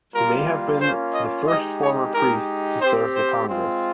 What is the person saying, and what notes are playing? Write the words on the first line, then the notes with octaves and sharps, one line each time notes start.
He may have been the first former priest to serve in Congress.
G3 A#3 F4 A#4
A#3 C#4 F4 C5
D#5
G#3 D#4 G4 D#5
C#5
G#3 D#4 G4 A#4
C4 G4 C5
C5
G#3 C4 F4